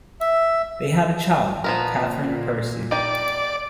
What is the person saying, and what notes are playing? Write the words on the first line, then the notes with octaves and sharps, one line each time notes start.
They had a child, Catherine Percy.
E5
A#2 F3 B3 A#4
D#4 D5 G5